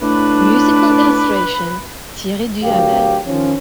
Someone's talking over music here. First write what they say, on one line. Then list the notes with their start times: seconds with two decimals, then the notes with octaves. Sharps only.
Musical illustration: Thierry Duhamel.
0.02 A2 D4 B4
2.63 D2 F#3 G4 A#4 F5
3.27 D#3 F3 C#4